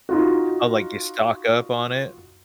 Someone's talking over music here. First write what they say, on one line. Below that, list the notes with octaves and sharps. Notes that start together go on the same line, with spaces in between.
Oh, like, you stock up on it?
D#4 F4 F#4